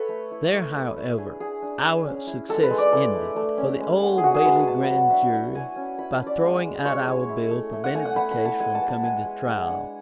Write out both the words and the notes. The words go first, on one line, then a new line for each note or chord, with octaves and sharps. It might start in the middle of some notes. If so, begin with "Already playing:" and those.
There, however, our success ended, for the Old Bailey Grand jury by throwing out our bill prevented the case from coming to trial.
Already playing: A4 B4 C#5 E5
A3
E4
A3
E4
E4
D4 G#4
D4 G#4
D4
D4
C#4
E4
G#3 A4
B4
G#3
D5
E4 A4
A3
A3
C#4
G#3
B3
G#4
D4 F#4
G#4
G#3 B4
A5
B3 A5
B5
F#3
A5
D4 E5
D4 F#5
E4 G#5
C#4
E4 B5
A5
C#4
D5
G#3
G#3
G#3 C#5
E4
E4
A3
A3
F#5
A3 G#5
F#5
B3 B5
B5
E4
A5
G#3 G#5
A5
B3
A5
G#3 G#5
G#3
G#3 F#5
D4